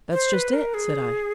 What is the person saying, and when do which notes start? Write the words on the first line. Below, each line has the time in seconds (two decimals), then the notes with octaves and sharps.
"That's just it," said I.
0.12 C5
0.33 B4
0.53 A#4
0.74 G#4